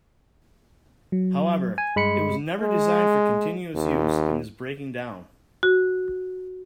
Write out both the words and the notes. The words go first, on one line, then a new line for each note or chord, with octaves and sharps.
However, it was never designed for continuous use and is breaking down.
F#3
G#5
G2 G#3 B5 C#7
G#3
D#2
F#4